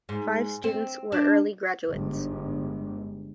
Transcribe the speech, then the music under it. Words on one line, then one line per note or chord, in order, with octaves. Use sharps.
Five students were early graduates.
G#2
C4
D4
G1 G#2